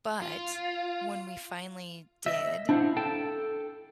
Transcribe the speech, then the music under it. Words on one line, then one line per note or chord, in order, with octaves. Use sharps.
but when we finally did,
F4
D#5 E5
D4 E4 C5 D#5 F5 F#5
A4 G5 A5